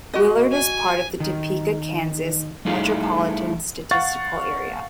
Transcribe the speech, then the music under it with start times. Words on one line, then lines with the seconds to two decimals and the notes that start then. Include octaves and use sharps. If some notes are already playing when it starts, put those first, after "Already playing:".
Willard is part of the Topeka, Kansas Metropolitan Statistical Area.
0.14 F#4 D#5
0.53 G#5
1.20 D#3
2.65 G3 A3 D#4 E4 G#4 F5
3.91 F5 F#5 C#6 A6